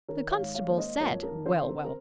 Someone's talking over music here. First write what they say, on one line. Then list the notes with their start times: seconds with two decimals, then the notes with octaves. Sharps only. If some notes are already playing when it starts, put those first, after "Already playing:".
The constable said 'Well!
0.08 D#3 A#4 C#5
0.31 C#5 F5
0.39 G#2
0.55 C#5 F5
0.69 A#3
0.77 C5 D#5
1.00 F2 A#4 C#5
1.23 A#4
1.31 D#3
1.46 C5
1.60 C4
1.69 A#4
1.84 A#4